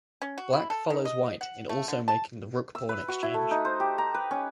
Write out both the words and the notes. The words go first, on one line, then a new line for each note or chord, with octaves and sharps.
Black follows White in also making the rook pawn exchange.
C#4
F#4
E4
A4
D#3
D#5
F#5
A3
D3
A5
E6
B4
F#4
E4
A3
D#4
C5
G4
A#5
B4
C#4